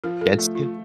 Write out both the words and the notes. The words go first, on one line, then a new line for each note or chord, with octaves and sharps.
Against you?
F3 A#4
A4
A3
F4